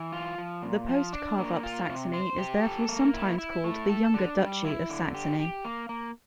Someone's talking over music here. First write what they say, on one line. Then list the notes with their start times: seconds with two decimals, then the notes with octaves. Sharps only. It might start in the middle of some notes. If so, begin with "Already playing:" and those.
The post carve-up Saxony is therefore sometimes called the "younger Duchy of Saxony".
Already playing: E3
0.13 F4
0.38 F3
0.63 A#2
0.89 F3
1.13 D4
1.38 A#3
1.63 F4
1.89 C3
2.13 C5
2.38 G4
2.63 A4
2.89 A#3
3.14 E4
3.38 E4
3.64 A3
3.89 A4
4.14 D4
4.39 G3
4.65 E4
4.89 D3
5.15 G4
5.40 G4
5.64 A#3
5.89 A#3